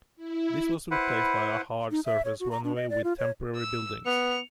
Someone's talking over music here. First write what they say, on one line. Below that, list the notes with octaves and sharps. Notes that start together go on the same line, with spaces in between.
This was replaced by a hard surface runway with temporary buildings.
E4
E4 B4 C5 F#5
D#4
E5
C#5
F#4
A#5
D4
D#5
D5
F4
C#5
E6
B3 C#7 F7